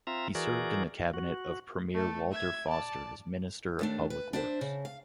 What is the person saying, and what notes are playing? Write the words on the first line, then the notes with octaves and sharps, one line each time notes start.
He served in the cabinet of Premier Walter Foster as Minister of Public Works.
C4 F4 E5 A#5
E3 F#4 G#4 A#4 D5
F#4
A3 A4
E5 G#6
D5 A5
D#2 A3 D4
B4
D4 C5 E5
C#3
F5